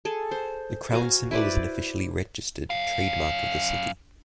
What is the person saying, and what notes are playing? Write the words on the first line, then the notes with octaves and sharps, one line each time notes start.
The crown symbol is an officially registered trademark of the city.
G#4 A4
C5
F#4 F5 G#5 A#5
E4 B4 C5 D5
F#2 F5